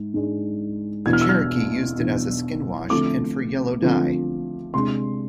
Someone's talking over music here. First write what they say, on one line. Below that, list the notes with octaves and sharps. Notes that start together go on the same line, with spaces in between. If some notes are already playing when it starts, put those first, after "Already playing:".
The Cherokee used it as a skin wash and for yellow dye.
Already playing: G#2 G#3
G#2 G#3 D4
E2 B2 B3 D4 G#6
F6
E6
F6
E2 B2 B3 D4
D3 F3 A3 C4 D6
D3 F3 A3 C4
C3 G#3 D4 C6